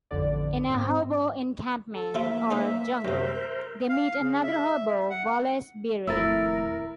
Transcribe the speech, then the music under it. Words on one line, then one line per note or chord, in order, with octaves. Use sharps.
In a hobo encampment, or "jungle," they meet another hobo, Wallace Beery.
A1 F2 D3 D5
G#2 C4
A4
F3 A#3 E4 F4 E5
C#4 D#4 C5
F#2 C3 A#4 C5
F5
C#3
E5
F#5
D#1 F2 A3 E4 A#4 E6 A6